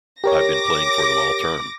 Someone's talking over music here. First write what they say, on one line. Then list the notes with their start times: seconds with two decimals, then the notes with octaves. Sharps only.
I've been playing for them all term.
0.24 G4 A#4 C#5 D6 A#6